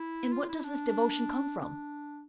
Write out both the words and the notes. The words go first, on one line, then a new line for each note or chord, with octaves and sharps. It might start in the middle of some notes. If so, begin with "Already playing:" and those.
"And what does this devotion come from?"
Already playing: E4
F4
F4
E4
D4
D4